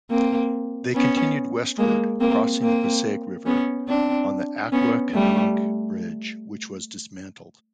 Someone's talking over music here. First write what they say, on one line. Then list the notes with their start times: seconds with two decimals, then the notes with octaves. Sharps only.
They continued westward, crossing the Passaic River on the Acquakanonk Bridge, which was dismantled.
0.11 A#3 C4
0.95 B3 C#4
1.78 G#3 A#3
2.20 A#3 C4
2.63 A#3 C4
3.46 B3 C#4
3.89 C4 D4
4.72 B3 C#4
5.14 G3 A3